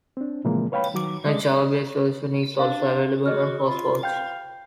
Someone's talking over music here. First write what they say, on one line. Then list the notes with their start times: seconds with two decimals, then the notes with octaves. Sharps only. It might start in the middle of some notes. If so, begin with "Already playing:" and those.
A Java-based version is also available on SourceForge.
0.17 C4 D4
0.45 A#2 C#3 E3 F3 G#3 A#3
0.72 B4 C#5 F5 G5 B5
0.94 D#3 F#3 D6
1.26 G#3 D5 D#5
2.59 D4 F5
3.26 F#4 G#4 D#5 F6
3.67 F4 B5
4.03 F5 G5 G6